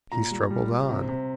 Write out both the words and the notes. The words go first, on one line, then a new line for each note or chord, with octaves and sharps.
He struggled on.
A#2 A#5
G3
G3
G3
C3
C3